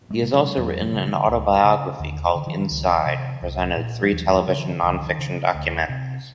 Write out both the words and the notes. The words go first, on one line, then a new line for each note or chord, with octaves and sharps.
He has also written an autobiography called 'Inside' and presented three television non-fiction documentaries.
G#3 A#3
C3
F#3 G#3
E2 F3 G3
F3 G3
C#3
D#3
D3 E3
C#2
C#3
D#2 D3
D3
D#3 F3
C#2
C3
C2
A#2
F3
D#2 E3 F#3
F3 G3
C#3
D#3 F3
C#2 D3 E3
E3
D#3
C#3
D2
C3